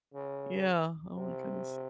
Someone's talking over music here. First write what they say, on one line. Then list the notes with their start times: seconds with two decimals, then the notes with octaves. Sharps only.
Yeah, oh my goodness.
0.14 C#3
1.17 C3